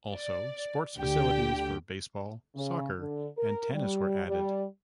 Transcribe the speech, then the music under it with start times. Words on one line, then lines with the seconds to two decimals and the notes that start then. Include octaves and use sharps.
Also, sports facilities for baseball, soccer, and tennis were added.
0.13 D5
0.97 D2 D3 G4 G5
2.55 C#3
2.99 D3
3.38 A#4
3.73 G3
4.27 G3